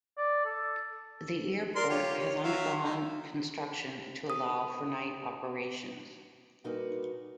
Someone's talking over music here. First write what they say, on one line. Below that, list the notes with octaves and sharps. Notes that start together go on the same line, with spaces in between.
The airport has undergone construction to allow for night operations.
D5
A4
A#4 D5 C6
F4 G4 C#5
C#5
F#3 E5 F5
D3 D#4
D#6
G2 A#2 D#4 F#4 A#4 B4